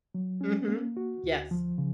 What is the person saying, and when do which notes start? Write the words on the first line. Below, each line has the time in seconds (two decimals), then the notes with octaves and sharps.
Mhm, yes,
0.15 F#3
0.41 C#4
0.68 A#3
0.97 F#4
1.24 D2
1.51 F3
1.78 C#3